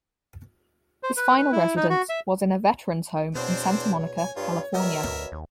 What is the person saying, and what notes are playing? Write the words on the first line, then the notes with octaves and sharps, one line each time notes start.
His final residence was in a veterans home in Santa Monica, California.
C5
B4
B4
E4
D#4
F#4
E5
E2 B2 C4 D4 C5 C#5
G#5
G2 F4
B2 G3 A#4 E5
D2
D#2